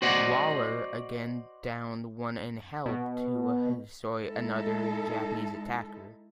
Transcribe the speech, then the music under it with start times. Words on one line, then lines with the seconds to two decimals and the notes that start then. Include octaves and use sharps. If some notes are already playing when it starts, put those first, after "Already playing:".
"Waller" again downed one and helped to destroy another Japanese attacker.
0.02 F#4 C5 D5 D#5 F#5
2.86 B2
4.22 G#3 D#4 E4 A4